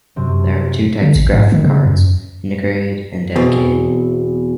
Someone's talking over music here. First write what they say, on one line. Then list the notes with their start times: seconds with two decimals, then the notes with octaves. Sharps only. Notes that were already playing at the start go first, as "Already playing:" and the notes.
There are two types of graphics cards: integrated and dedicated.
0.16 F#2 C3 C4
1.02 D3
1.16 A1
1.34 G#2
1.52 D#3
1.64 C#3
1.85 F#2
3.36 E2 B2 C4